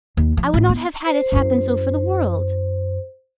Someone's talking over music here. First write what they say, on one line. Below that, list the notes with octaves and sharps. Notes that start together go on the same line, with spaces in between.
I would not have had it happen so for the world.
D#2
F3
A1
B3
C5
F#2 E4